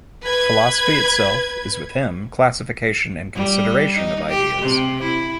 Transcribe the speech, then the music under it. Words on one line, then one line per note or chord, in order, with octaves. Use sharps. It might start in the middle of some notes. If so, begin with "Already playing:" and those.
Philosophy itself is with him classification and consideration of ideas.
B4 G#6
G3
D#4
G4
C3
E4